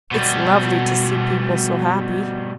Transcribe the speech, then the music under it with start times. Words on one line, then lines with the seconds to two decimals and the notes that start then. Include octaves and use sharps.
It's lovely to see people so happy.
0.12 B2 G3